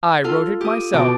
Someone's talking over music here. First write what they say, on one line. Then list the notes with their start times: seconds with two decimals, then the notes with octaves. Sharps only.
"I wrote it myself."
0.24 F4 A4 F5
0.61 G4 D#6
0.93 B2 G5 A5 D6